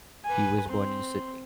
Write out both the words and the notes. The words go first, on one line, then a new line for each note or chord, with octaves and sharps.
He was born in Sydney.
B4 G#5
C4 C6